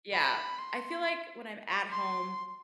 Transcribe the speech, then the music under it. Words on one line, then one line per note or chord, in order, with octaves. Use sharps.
yeah, I feel like, when I'm at home
B5
C6
C6